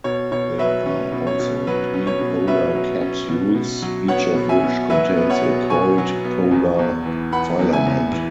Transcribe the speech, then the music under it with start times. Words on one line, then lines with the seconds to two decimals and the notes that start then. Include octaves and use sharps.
There are also three polar capsules, each of which contains a coiled polar filament.
0.04 B2 C#5
0.32 B2 C#5
0.58 F#3 B4 E5
0.86 C#4
1.12 B2
1.27 C#5
1.39 B2
1.67 F#3 B4
1.94 C#4
2.07 C#5
2.21 B2
2.47 B2 B4 E5
2.75 F#3
3.01 C#4
3.29 B2
3.55 B2
3.82 F#3
4.08 B3 C#5 F#5
4.35 B2
4.49 E5 G#5
4.63 B2
4.90 F#3 B4 E5
5.16 B3
5.30 C#5 F#5
5.43 B2
5.70 B2 G#5 C#6
5.98 F#3
6.25 B3
6.51 E2
6.79 E2
7.06 E3
7.32 B3 F#5 B5
7.59 E2
7.73 E5 G#5
7.87 E2
8.13 E3